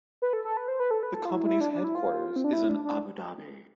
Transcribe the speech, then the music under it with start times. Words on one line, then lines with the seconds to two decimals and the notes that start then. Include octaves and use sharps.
The company's headquarters is in Abu Dhabi.
0.22 B4
0.33 A4
0.44 A4
0.57 B4
0.68 C5
0.80 B4
0.91 A4
1.03 B4
1.14 A4
1.25 F4
1.30 E4
1.45 E4
1.61 D4
1.73 D4
1.84 E4
1.95 F4
2.36 C4
2.44 D4
2.53 E4
2.69 D4
2.85 D4